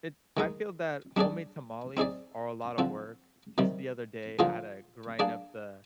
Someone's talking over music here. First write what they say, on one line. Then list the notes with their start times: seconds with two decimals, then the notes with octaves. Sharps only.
it I feel that homemade tamales are a lotta work. Just the other day, I had to grind up the
0.37 D#3 G#3 D#4
1.16 G3 D4 G#4 D5
1.97 C4 D#4 G#4 D5
2.78 D3 F3 C4
3.58 C3 D#3 G3
4.39 D3 F3 A#3 F4 G#4
5.19 A#3 D4 G#4 D5